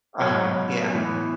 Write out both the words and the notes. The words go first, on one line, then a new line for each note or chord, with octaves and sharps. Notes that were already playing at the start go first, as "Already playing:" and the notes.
Uh-huh, yeah.
B2 F#3 B3 C#5
A2 E3 B3